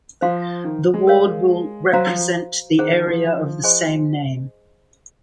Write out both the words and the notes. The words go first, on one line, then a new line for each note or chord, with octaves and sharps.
The ward will represent the area of the same name.
F3 C5 F5 C6
D#3
G#3
A#4 C#5 F5
F#3 F#4 C5 F5 A#5
F3
D#3 G#4 C5 F#5
D#3
F3
G#4 C5 D#5 G#5 C6